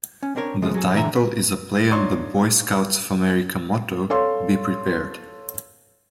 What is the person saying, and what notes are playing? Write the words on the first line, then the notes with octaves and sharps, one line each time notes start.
The title is a play on the Boy Scouts of America motto "Be Prepared".
C#4
C4 D4 A#4 C#5
C#3 F3 G#3 A3
F#3 G#4 A4
G2 D3 E3 E5 A#5
B4
D4 D#4 F4 C#5 C6 C#6
A4 C#5 F5 C6